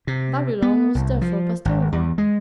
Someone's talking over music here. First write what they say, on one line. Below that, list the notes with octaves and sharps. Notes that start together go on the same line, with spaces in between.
Barillon was therefore passed over.
C3
B3
C2
F3
G#1
E2
G#3